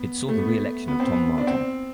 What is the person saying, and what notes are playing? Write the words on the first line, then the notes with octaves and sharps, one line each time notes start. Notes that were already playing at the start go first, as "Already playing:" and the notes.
It saw the reelection of Tom Martin.
Already playing: B3
A3
B3
A3
B3
C4
B3
D4
C4